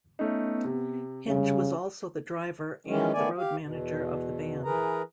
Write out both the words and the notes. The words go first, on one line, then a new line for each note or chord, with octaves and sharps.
Hinch was also the driver and the road manager of the band.
A3 B3 C#4 D#4
C3
F1 C#3 G3
D#3 E3 G#3 C#4
D#3 A3 B3 D5 G#5
G4 F5
E2 B2
E3 G#4 A#4 B4 A#5